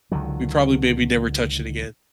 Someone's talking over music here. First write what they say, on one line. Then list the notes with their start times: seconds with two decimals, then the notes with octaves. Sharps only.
we probably maybe never touched it again
0.12 C#2 D3 D#3 F#3